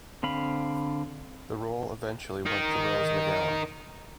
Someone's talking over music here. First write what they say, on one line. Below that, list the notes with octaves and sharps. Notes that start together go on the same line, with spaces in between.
The role eventually went to Rose McGowan.
D3 C4 F5 B5
D#4 A#4